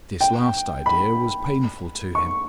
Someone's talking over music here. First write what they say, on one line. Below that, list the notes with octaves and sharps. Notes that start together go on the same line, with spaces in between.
This last idea was painful to him.
G5
B5
C#6